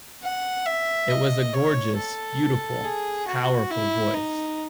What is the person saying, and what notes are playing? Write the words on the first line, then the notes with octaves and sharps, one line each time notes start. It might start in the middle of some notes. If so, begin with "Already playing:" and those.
It was a gorgeous, beautiful, powerful voice.
F#5
E5
D#5
C#5
A4
G#4
F#4
E4
D#4